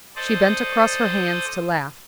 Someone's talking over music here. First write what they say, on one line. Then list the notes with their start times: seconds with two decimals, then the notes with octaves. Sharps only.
She bent across her hands to laugh.
0.16 A4 C5 D5 D#5